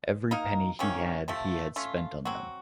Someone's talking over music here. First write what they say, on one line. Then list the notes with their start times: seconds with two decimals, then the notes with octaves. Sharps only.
Every penny he had he had spent on them.
0.31 A#3 D#4 A#4
0.79 C3 D#3 A#3 C#4
1.28 C3 F3 A3
1.76 A3 C#4 F4
2.25 F#3 C4 F#4